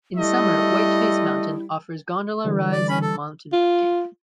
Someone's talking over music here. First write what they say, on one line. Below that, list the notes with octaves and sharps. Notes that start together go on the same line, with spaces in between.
In summer, Whiteface Mountain offers gondola rides and mountain biking.
G3 A3 E4 D#5
D3 E3 G3
D5
C#4 B5
A4
F4